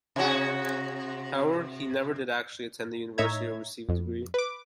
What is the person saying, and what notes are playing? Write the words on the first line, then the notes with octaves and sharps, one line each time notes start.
However, he never did actually attend the university or receive a degree.
C3 F#4
A2 D#4 C#5 E5 A#5 G#6
F2
B4 D6